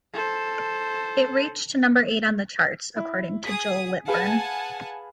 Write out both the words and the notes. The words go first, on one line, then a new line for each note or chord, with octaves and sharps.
It reached number eight on the charts, according to Joel Whitburn.
A4 C5
E4
G#4 D#6 B6
G#4 B4 F5 F#5 G#5 A5